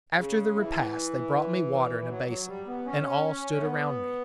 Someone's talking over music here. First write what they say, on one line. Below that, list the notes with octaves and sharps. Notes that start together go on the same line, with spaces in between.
After the repast they brought me water in a basin, and all stood around me.
C#3
E3
E3
F#3
F#3
G3
B3
C#4
A3
B3